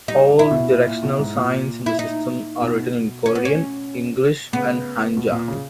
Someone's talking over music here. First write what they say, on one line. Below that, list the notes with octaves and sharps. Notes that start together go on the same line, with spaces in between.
All directional signs in the system are written in Korean, English and Hanja.
G3 D#4
C#3
E4
B2
A#2
A#2
B2
G#2
A#2
E4
D#4
B2
C#4
B3
C#4
C#3 B3
B2
A#2
C#3